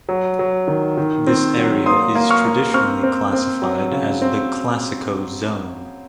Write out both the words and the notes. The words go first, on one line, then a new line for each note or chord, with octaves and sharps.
This area is traditionally classified as the "classico zone".
F#3
F#3
D#3
D#3
C4
F#3
A#3 C6 D#6
A#3
C#6 F6
A#3
C4 C#6 F6
C4
C4
F#3
C#3
C4